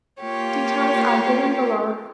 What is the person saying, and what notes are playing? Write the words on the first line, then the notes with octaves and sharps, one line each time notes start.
Details are given below.
A#3 F4 G4 C#5